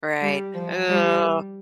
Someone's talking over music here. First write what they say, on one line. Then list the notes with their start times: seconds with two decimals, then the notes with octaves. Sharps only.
Right. Ooh.
0.21 G3
0.54 F3
0.88 G3